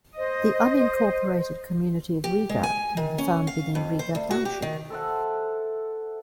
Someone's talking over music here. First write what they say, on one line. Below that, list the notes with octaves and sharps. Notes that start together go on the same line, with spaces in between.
The unincorporated community of Riga can be found within Riga Township.
C5 D#5
G4
G#3
G#5
D#3
C#4
F5
F2
C5
D2
F#4
G4
D#3
A4 C5 E5 F#5